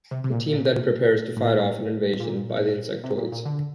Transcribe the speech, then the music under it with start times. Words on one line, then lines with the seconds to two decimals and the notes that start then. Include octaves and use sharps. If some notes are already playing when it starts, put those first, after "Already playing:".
The team then prepares to fight off an invasion by the insectoids.
0.11 C3
0.24 C3
0.32 A#2
0.53 A#2
1.36 A2
1.48 A#2
1.59 A2
2.20 A#2
3.04 C3
3.18 A#2
3.32 A#2
3.45 D3